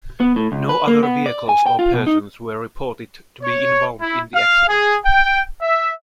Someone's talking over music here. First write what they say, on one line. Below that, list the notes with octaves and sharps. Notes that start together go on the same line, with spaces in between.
No other vehicles or persons were reported to be involved in the accident.
B3
A2
C#2
B4
A#3
B3
D5
G#5
G5
F4
B2
D#4
C#5
E4
F5
G#4
G5
E5